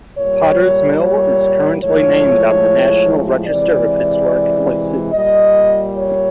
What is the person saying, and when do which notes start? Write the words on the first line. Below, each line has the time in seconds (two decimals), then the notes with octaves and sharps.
Potter's Mill is currently named on the National Register of Historic Places.
0.16 A#2 G3 C#5
0.99 C#5
1.81 A2 F3 G#3 C#5
3.46 C3 E3 G#3 D5
5.12 A#2 G3 D#5
5.94 C#5